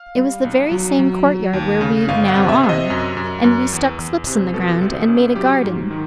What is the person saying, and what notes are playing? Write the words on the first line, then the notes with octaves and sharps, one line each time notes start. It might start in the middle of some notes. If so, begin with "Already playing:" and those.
It was the very same court-yard where we now are, and we stuck slips in the ground, and made a garden.'
Already playing: F5
G3
B1
F#3
F#3
F#3
D#2
C#3
G1 F5
F#5
C3
E5
C3
D#5
F#2
F#2
F#2
E2
E2
C3
B2 A4
C2
C#4
F#3 G4
G#2
D#3